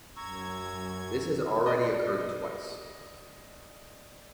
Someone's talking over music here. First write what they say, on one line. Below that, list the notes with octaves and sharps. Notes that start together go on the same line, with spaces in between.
This has already occurred twice.
F#2 A#5 C#6 E6 G#6
D5 D#5